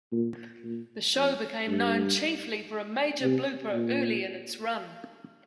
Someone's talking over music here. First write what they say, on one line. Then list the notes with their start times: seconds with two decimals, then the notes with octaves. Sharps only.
The show became known chiefly for a major blooper early in its run.
0.12 A#2
0.64 A#2
1.16 F2
1.67 G2
3.21 C3
3.73 A#2